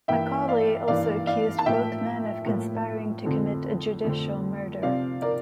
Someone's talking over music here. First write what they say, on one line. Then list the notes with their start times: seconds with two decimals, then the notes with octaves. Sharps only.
Macaulay also accused both men of conspiring to commit a judicial murder.
0.08 G2 E3 A#3 E5 G5
0.47 D5 F5
0.88 G2 E3 A#3 D5 F5
1.27 D5 F5
1.58 A5
1.66 A2 F3 A#3 E5 G5
2.45 A2 F3 A#3
3.25 F2 D3 A3 C4
4.04 F2 D3 A3 C4
4.82 C3 F3 C4 D5 F5
5.22 A#4 D5